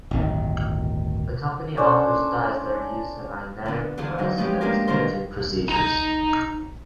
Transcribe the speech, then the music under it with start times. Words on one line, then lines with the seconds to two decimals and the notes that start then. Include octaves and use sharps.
The company offers dyes that are used in magnetic-resonance-imaging procedures.
0.11 D1 G1 D#3
1.77 C#4 D4 A4 C5
3.65 D3 B3
3.98 E2 D3 F4 G#4
4.18 D3 F#3 D#4
4.37 F3 G#3 B3 C#4 G4
4.61 G#3 A#3 D4 F4 G4 A#4
4.87 B2 D3 D#3 G3 A#4 C5
5.69 D#4 A#5